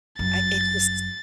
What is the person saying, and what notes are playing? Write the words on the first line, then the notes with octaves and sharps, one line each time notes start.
I it just
G1 F#2 A6